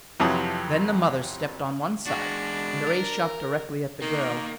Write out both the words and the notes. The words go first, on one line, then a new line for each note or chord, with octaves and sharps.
Then the mother stepped on one side, and the ray shot directly at the girl.
F2 C3 E3 F#3 A5 D#6
G#3 D4 F#4
A#4
D#3 A#3